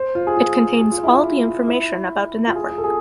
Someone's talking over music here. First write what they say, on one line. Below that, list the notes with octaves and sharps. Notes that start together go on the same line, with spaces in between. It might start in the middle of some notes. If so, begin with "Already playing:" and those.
It contains all the information about the network.
Already playing: C5
F4
G#4
F4
G#4
F4
E4
F4
E4
F4
G#4
F4
A4
G#4